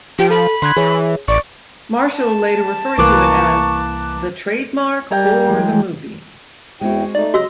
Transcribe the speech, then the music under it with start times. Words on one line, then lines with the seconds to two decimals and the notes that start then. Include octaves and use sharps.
Marshall later referred to it as "the trademark for the movie".
0.19 F3 F4 G4 G5
0.30 A4 B5
0.62 D3 C6 F#6 G#6
0.77 E3 G#4 C#5
1.28 A1 D5 C#6
2.13 A5
2.98 C2 E3 A#3 C#6 D6 F#6
5.11 G3 G5 G#5 A#5
5.45 E3 F#3 G#3
6.81 E2 G#3 C4 E4 F#4 G5
7.15 A3 D#4 D5
7.34 C#3 F#3 F#4 D#5 C6 E6